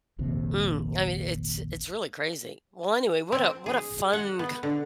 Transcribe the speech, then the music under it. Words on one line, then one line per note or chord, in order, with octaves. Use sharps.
Mm. I mean, it's it's really crazy. Well, anyway, what a what a fun c
F1 A#1 D#2 C3
C4
G#4
F#5
B3
D3